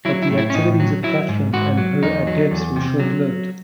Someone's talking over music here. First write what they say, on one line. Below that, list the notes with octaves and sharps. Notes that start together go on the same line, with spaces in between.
But the activities of Catherine and her adepts were short-lived.
F#3 E4
E4
A2
E4
C#4
A2 D#4
F#3
F#3 E4
G#2
G#2 F#4
F#3
E2 D#4
F#3
E2
C3
F#3